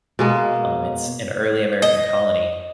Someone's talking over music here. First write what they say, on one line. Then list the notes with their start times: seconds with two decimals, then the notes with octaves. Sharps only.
Um, it's an early American colony,
0.19 B2 G#3 A#3
1.82 D#5